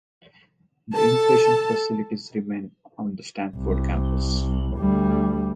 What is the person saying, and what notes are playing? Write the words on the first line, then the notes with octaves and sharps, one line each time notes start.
The inpatient facilities remain on the Stanford campus.
A4 A5
C2
D2 G3